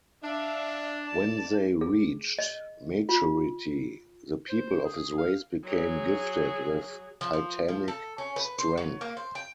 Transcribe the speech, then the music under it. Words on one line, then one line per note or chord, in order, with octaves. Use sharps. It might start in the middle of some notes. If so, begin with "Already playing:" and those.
When they reached maturity, "the people of his race became gifted with titanic strength".
D4 E5 F5
D5 A5
G#4
D#5
F4
C5
G#4
F5
F#3 G#4
F3
F3
F3
A4
C#4
B4
C5
F#3
A#3
C5
G5